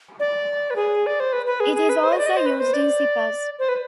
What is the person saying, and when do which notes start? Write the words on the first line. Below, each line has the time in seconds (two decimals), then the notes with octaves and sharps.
It is also used in zippers.
0.20 D5
0.70 B4
0.76 G#4
1.06 D5
1.20 C5
1.33 B4
1.46 B4
1.60 G#4
1.75 G#4
1.89 B4
2.04 C5
2.12 D#5
2.18 D5
2.26 D#5
2.36 C5
2.46 B4
2.60 C5
2.74 D5
3.59 C5
3.69 B4